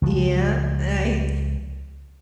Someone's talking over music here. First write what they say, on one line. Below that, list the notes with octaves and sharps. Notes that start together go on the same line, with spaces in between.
yeah, I
C#2 F3